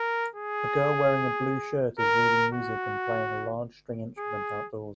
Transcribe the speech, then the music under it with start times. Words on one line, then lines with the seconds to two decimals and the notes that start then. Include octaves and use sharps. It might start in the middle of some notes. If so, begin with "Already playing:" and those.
A girl wearing a blue shirt is reading music and playing a large string instrument outdoors.
Already playing: A#4
0.35 G#4
1.99 A#4
2.54 F#4
4.19 G#4